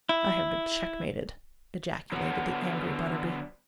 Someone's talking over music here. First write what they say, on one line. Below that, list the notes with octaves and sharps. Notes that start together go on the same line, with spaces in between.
"I have been checkmated," ejaculated the angry Butterby.
E4
D3 F#3 B3